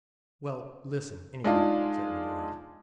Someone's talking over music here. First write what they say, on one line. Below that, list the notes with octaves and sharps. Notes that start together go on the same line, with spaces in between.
"Well, listen, anyway," said Medora.
G#3 D4 D#4 F4 G#4